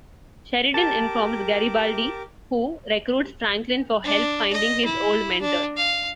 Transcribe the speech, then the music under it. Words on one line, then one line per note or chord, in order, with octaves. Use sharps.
Sheridan informs Garibaldi who recruits Franklin for help finding his old mentor.
G4 A#4 A5 D6
D4
D#5
E4
D4
F5